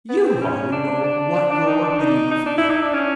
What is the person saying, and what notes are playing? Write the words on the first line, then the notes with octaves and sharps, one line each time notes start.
You hardly know what your belief is.
B3
C4
C4
C#4
D4
D4
D4
D4
D#4
D4
D#4
D#4
D4
E4
D#4
D4
C#4